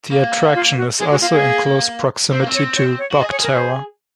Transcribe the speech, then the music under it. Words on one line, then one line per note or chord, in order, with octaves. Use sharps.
The attraction is also in close proximity to Bok Tower.
A#3
F4
F#4
G#3 G#4
F#4
A#3 F4
G#4
C4 C5
A#3
C4
C#5
C#5
C#5
F#4
G#4 D#5
C#5
A#4
C5